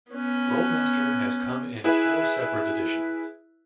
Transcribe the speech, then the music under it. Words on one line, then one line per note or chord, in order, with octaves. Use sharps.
Rolemaster has come in four separate editions.
B3 C#4
E4 G#4 B4 E5